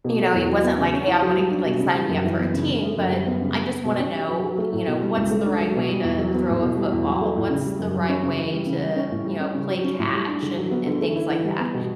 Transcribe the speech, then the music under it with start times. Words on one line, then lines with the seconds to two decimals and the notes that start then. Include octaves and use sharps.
you know, it wasn't like, "Hey, I wanna e" like, "Sign me up for a team," but "I just wanna know," you know, "what's the right way to throw a football? What's the right way to, you know, play catch" and and things like that?
0.04 B2
0.20 A3
0.34 E2
0.48 F#3
0.64 B3
0.78 C#3
0.93 C#4
1.07 E4
1.22 F#3
1.37 G3
1.51 D4
1.66 B2
1.80 C#3
1.95 G3
2.09 F#2
2.24 E3
2.39 B3
2.54 C#3
2.68 D3
2.83 A3
2.97 F#2
3.12 G3
3.26 B3
3.42 C#3
3.56 G3
3.70 B3
3.85 B2
3.99 C#4
4.14 G4
4.28 F#3
4.44 F#3
4.58 A3
4.72 A2
4.87 B2
5.02 G3
5.17 C#2
5.31 A3
5.45 D4
5.60 F#3
5.75 B2
5.89 G3
6.04 E2
6.19 F#3
6.34 B3
6.48 A2
6.63 B2
6.77 G3
6.92 E2
7.07 F#3
7.21 A3
7.36 A2
7.50 C#3
7.65 G3
7.79 F#2
7.94 F#3
8.09 C#4
8.23 C#3
8.38 E3
8.53 G3
8.67 C#3
8.82 G3
8.96 C#4
9.11 A2
9.25 G3
9.40 C#4
9.55 C#3
9.70 F#3
9.84 C#4
9.99 A2
10.14 G3
10.28 D4
10.42 D3
10.57 F#3
10.71 B3
10.87 D3
11.01 A3
11.15 E4
11.30 E3
11.44 G3
11.60 B3
11.74 B2